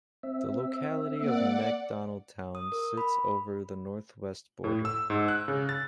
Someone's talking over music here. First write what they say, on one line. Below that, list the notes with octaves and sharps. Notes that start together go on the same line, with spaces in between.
The locality of Macdonaldtown sits over the north-west border.
C4 E5
A#3 D5 F#5
D#6
A#4
B5
A2
E6
G#2
F#6
C#3
A6